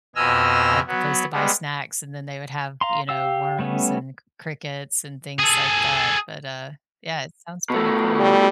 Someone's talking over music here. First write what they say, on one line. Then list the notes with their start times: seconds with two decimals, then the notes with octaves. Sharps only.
like a place to buy snacks, and then they would have, you know, worms and c crickets, and things like that, but, uh, yeah, it sounds pretty cool.
0.16 F2 B2 D#5 G#5 E6 F6
0.87 F#3 B3
1.32 G3 G#3 B3
2.81 F5 A#5 C6
3.09 G4 F5 E6
3.59 G3 A3 B3 C#4
5.39 G#4 A4
7.70 B2 A3
8.19 G3